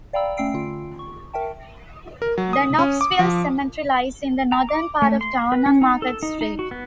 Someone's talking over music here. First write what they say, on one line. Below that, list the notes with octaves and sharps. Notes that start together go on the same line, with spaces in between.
The Knoxville Cemetery lies in the northern part of town on Market Street.
D5 F5 G5 A#5 B5 E6
A3 C#4 G5 E6 C7 D7
D3 F4
C#6
A#4 E5 G5 A5
A#4
F#3
D#6
C#4
D6
F3
A#5
D6
A3
C6
B4
C#4
D#4
A4
D#4
D#4
F#4
B3